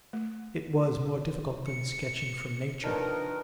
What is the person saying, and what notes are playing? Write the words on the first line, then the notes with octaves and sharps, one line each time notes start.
It was more difficult than sketching from nature.
A3
C#7
D#3 F3 D4 D#4 A#4 B4